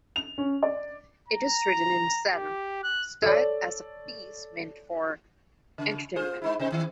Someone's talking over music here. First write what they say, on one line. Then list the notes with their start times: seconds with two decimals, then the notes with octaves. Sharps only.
It is written in Salon style as a piece meant for entertainment.
0.16 F7
0.38 C#4
0.63 D5
1.28 A#5
2.33 G4
2.84 F#6
3.22 A4 C#5 D5
5.78 C#3
6.16 F4 G#4 C5
6.42 G#3 D#4 E4
6.60 C3 D#4 C5
6.72 D#3